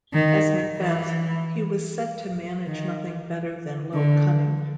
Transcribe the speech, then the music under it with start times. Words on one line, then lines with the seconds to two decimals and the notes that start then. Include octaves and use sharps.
As Macbeth, he was said to manage nothing better than low cunning.
0.13 D#3
0.77 E3
2.67 D#3
3.94 D3